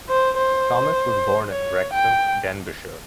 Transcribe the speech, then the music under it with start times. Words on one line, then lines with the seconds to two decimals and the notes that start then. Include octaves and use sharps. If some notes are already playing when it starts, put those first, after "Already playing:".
Thomas was born in Wrexham, Denbighshire.
0.09 C5
0.37 C5
1.50 C#5
1.93 G5